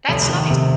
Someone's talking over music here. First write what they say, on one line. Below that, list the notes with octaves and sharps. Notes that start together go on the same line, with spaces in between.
That's nice.
F1
D#3
C3